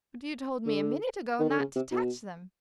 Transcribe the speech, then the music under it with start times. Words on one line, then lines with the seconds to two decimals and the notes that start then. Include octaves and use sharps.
"But you told me, a minute ago, not to touch them."
0.66 D3
1.39 D#3
1.50 D3
1.59 C#3
1.76 C3
1.91 B2